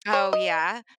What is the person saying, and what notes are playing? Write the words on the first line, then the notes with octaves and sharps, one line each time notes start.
Oh, yeah.
C#5
D#5